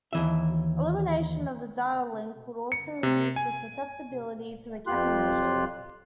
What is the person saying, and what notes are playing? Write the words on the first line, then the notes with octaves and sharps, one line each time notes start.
Elimination of the datalink would also reduce the susceptibility to countermeasures.
D#2 E3 E5
C#7
C3
G#5
F2 F4 G4 C6 F#6